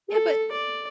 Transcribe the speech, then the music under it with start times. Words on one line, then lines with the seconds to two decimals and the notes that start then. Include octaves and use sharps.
Yeah, but
0.11 A4
0.52 D5